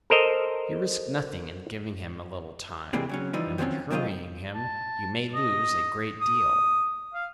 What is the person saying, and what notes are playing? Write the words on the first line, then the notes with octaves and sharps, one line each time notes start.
You risk nothing in giving him a little time, and in hurrying him you may lose a great deal.
A4 A#4 C5 D#5
C3 E3 G3 G#3 A#3 C4
C#3 F#3 C#4
E3 F3 G3 D#4
D#3 F3 F#3 A3 C4 C#4
C3 F#3 C4 D4 F4 D#5
A5
D#5
D#6
F5